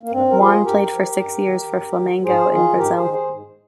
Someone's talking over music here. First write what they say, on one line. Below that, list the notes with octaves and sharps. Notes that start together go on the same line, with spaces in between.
Juan played for six years for Flamengo in Brazil.
A#3
G2 C4
A#4
F3 F4 G#4
G2 G4 A#4
F3
G2
D#3
G2
D#3
G#2 G#4 C5
D#3 F4 G#4
G#2 G4 A#4
G#4 C5
D#3
G#4 C5
G#2